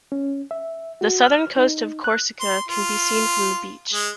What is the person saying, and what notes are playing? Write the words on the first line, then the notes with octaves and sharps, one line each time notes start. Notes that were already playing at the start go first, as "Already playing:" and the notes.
The southern coast of Corsica can be seen from the beach.
C#4
E5
F#4
F6
D#4
F#6
C6
F4
G#3